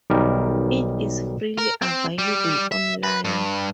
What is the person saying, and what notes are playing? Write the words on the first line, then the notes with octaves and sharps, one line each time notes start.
It is freely available online.
B1 D#3 G3 A#4
A#4
C4
G3
E5
B4
G2